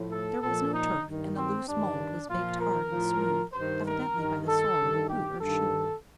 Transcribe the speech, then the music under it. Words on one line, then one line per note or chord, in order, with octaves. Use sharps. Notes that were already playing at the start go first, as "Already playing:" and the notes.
There was no turf, and the loose mould was baked hard and smooth, evidently by the sole of a boot or shoe.
Already playing: A2 F3
A4
A#2 F3 A4
D#4
G2 D#3
C4
G2 D#3 D4
A#2 F3 F4
A#4
A2 F3
G2 D#3 C5
A#4
G2 D#3
A4
G2 D#3
G4
G2 D#3 A4